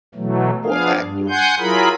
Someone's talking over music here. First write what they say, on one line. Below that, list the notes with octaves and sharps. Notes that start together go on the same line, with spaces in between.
or actors,
B2 E3 F#3 A3
F3 B3 D4 G#4 F5
G2
F#5 G#5 C6 G6
F#3 E4 F4 G#4 A#4 B5